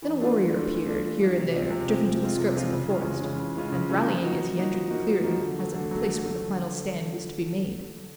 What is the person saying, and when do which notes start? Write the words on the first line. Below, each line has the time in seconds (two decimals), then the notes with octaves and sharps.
Then a warrior appeared, here and there, driven to the skirts of the forest, and rallying as he entered the clearing, as at the place where the final stand was to be made.
0.02 E3
0.20 A3 D4 F4
0.37 E3
0.54 A3 D4 F4
0.71 E3
0.87 A3 D4 F4
1.04 E3
1.21 A3 D4 F4
1.37 C3
1.54 F3 G#3 C4 F4
1.70 C3
1.88 F3 G#3 C4 F4
2.05 C3
2.22 F3 G#3 C4 F4
2.39 C3
2.55 F3 G#3 C4 F4
2.73 C#3
2.89 E3 G#3 C#4 F4
3.05 C#3
3.22 E3 G#3 C#4 F4
3.39 C#3
3.56 E3 G#3 C#4 F4
3.72 C#3
3.89 E3 G#3 C#4 F4
4.07 F3
4.23 A#3 D#4 F#4
4.40 F3
4.58 A#3 D#4 F#4
4.74 F3
4.90 A#3 D#4 F#4
5.08 F3
5.24 A#3 D#4 F#4
5.41 D3
5.58 F#3 A3
5.74 D3
5.91 F#3
5.96 A3
6.09 D3
6.25 F#3 A3
6.42 D3